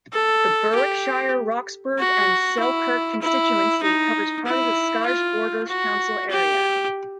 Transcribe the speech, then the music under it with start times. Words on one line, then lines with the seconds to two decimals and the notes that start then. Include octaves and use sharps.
The Berwickshire, Roxburgh and Selkirk constituency covers part of the Scottish Borders council area.
0.13 A4
0.75 G4
1.98 F#4
2.59 E4
3.22 E4
3.83 D#4
4.45 E4
5.07 F4
5.68 F#4
6.30 G4